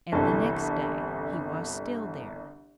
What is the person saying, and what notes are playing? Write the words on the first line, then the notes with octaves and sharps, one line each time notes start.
And the next day he was still there.
G1 C2 E3 A4 A5